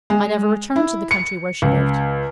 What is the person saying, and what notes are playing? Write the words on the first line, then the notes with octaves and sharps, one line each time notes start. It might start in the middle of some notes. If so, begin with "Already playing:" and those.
"I never returned to the country where she lived."
G#3
E4
C#7
C#2